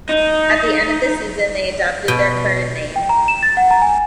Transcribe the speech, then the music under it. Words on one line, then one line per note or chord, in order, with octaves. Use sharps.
At the end of the season they adopted their current name.
D#4
B2
G5
A#5
E7
A6
F#5
A#5
G#5